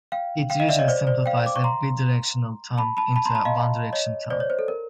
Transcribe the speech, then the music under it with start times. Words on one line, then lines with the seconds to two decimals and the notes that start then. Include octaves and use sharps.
It usually simplifies a bidirectional tone into a one-direction tone.
0.12 F5 G5
0.50 F5 G5
0.60 D#5 F5
0.69 D5 E5
0.79 C#5 D#5
0.88 C5 D5
1.07 C5 D5
1.26 F5 G5
1.46 D6
1.56 C#6
1.64 A#5 C6
2.78 A5 B5
2.97 A5 B5
3.16 A5 B5
3.25 A#5 C6
3.35 A5 B5
3.45 D#5 F5
3.93 C#5 D#5
4.30 C5 D5
4.40 C#5
4.50 C5
4.59 A4
4.68 A#4